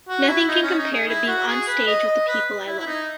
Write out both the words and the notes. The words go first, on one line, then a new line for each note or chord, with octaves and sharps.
Nothing can compare to being onstage with the people I love.
F#4
E4
D#4
C#4
D#4
G#4
E4
F#4
G#4
B4
D#5
D#5
B4
E4
E4
D#4